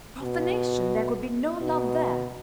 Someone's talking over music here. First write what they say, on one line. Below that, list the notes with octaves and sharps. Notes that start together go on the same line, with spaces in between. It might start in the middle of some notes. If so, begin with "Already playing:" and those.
Profanation! There could be no love there.
B2
B2